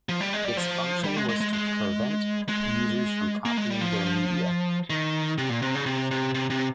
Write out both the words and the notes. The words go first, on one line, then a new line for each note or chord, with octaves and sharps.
Its function was to prevent users from copying their media.
F3
G3
G#3
G3
F3
G3
G#3
G#3
G#3
G#3
G#3
A#3
G#3
G3
F3
D#3
C3
A#2
C3
C#3
C3
C3
C3
C3